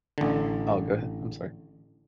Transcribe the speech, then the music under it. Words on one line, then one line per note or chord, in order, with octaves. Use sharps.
Oh, go ahead, I'm sorry.
A1 D3